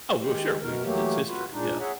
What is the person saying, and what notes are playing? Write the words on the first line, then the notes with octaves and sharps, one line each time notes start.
Oh, well, sure, we 'cause it's history, yeah.
D#3 G#3 G4
F#2 B2 A#4
E3 F#3 A3 A#3 G4
F4 F#4 B4
A#2 G#3 D4 D#4
G#4 C#5 E5 F#5 A#5